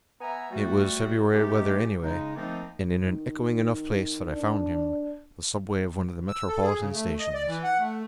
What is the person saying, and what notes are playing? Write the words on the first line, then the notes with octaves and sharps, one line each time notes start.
It was February weather, anyway, and in an echoing enough place that I found him--the subway of one of the Metropolitan stations.
B3 E5 G#5 A#5
G3 A3 F#4
D#3 G#3 A3 C#4 D#4 G4
C#3 G#3 D#4
D#3 F3 A3 A#3 C4 D#4
D#3
D4
E6
A4
G#4
C#3
A3
D#5
D5
E3
F#5
A3